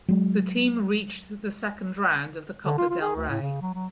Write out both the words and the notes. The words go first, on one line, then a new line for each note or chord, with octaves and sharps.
The team reached the second round of the Copa del Rey.
F#3 G#3
D3
F4
F4
G#4
D2
A2
C#3
F#3
F#3